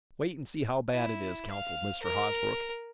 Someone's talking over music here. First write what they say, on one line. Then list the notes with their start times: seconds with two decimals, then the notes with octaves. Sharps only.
"Wait and see how bad it is," counseled Mr. Hosbrook.
0.91 E4
1.50 F5
2.03 A#4